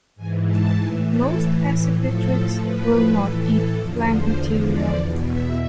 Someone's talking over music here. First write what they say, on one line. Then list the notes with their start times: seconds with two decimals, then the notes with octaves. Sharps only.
Most accipitrids will not eat plant material.
0.16 G#2 E3 G#5
0.46 A5
0.76 A2 E3 G#5
1.07 A4
1.37 A2 E3
1.96 A2 F3 A4
2.56 A2 F3 B4
3.16 A2 E3 A4
3.75 E2 D3 F3
4.05 C5
4.35 E2 D3 F3
4.66 D5
4.95 E2 B2
5.25 E5